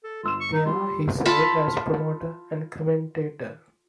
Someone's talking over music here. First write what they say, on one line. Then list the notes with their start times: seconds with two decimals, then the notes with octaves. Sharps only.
There he served as promoter and commentator.
0.04 A4
0.23 G1 F4 E6 E7
0.40 C#6
0.53 D#4
0.66 G3 F4
1.26 F4 A4 A5 B5